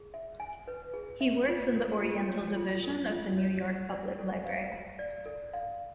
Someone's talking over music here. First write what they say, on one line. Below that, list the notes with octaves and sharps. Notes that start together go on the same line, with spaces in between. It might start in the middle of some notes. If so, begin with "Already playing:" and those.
He works in the Oriental Division of the New York Public Library.
Already playing: G#4
E5
G#5
B4
G#4
E5
F4
A4
F4
C#5
F4
A4
F4
C#5
A#5
D5
A4
F5
A#5
D5
A4
F5